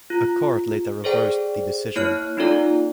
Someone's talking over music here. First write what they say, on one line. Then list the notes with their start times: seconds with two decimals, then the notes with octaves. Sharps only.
A court later reversed the decision.
0.10 F4
1.04 G#4 A4 C5 D5 G5
1.96 A#3 E4 C#5 F6 F#6
2.37 A#3 C#4 D#4 F4 A4 D5